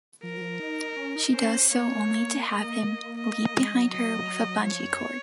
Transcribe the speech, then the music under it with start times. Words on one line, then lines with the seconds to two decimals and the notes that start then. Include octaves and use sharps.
She does so only to have him leap behind her with a bungee cord.
0.23 F3 A#4
0.37 F#3
0.41 F3
0.60 D#4
0.97 C#4
1.16 D#4
1.34 C#4 C5
1.70 A#3 C#5
2.44 D#5
2.82 A#3
3.19 D#5
3.55 G#3
3.74 F#3
3.92 D#5
4.66 F3 C#5
4.85 F#2